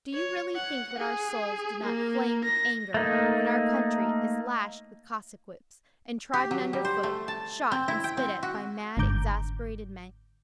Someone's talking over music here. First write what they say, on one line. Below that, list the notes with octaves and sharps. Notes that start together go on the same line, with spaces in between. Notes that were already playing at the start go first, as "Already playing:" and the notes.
Do you really think that our souls do not flame with anger when our country is lashed with Cossack-whips, and trodden under foot, shot and spit at by mad, exasperated men?
C#5
F#5
G#4
A#3
A#6
A3 A#3 D#4
G4
F#3
G3
C5
A3
A5
C4
E4
G5
C4
F#4
G1 G#2 D3 A#5 D6 G6